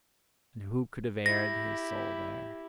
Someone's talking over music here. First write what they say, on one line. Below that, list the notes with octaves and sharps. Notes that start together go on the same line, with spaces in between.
And who could have aired his soul there!
E4 G4 A#6